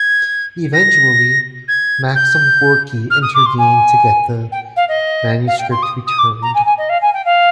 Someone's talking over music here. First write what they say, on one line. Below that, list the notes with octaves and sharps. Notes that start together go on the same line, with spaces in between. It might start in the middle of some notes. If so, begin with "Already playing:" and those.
Eventually, Maxim Gorky intervened to get the manuscript returned.
Already playing: G#6
A#6
G#6
G6
F6
D#6
D6
C6
G#5
G5
F5
D#5
F5
G5
C6
D#6
D#6
D6
A#5
G#5
G#5
D#5
F5
G#5
G5
F5